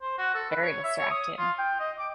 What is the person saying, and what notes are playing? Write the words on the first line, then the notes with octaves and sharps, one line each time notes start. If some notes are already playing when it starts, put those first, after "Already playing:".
Very distracting.
C5
F#4
A4
B4
C#5
E5
C#5
D#6
F4
G5
D#5
D6